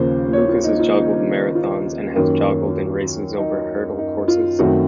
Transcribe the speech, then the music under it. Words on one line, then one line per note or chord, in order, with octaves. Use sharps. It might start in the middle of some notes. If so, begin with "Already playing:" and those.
Lucas has joggled marathons, and has joggled in races over hurdle courses.
Already playing: D#2 C#3 F3 A#3 C5
C#5
F4
D#4
F4
D#4
F4
F#2 D#3 A#3 C#4
D#4
D#4
F4
F#2 D#3 A3 C4 F#4